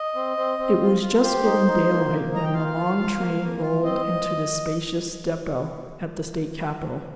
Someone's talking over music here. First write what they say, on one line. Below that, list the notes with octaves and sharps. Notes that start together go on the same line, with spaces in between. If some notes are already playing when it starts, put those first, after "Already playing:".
It was just getting daylight when the long train rolled into the spacious depot at the state capital.
Already playing: D#5
C4
C4
C4
F4
F4
G4 C5
D#4
D#4
A#3
A#3
D#4 A#5
G5
F4 F5
F4
F4
A#3
A#3
F4
C4 D#5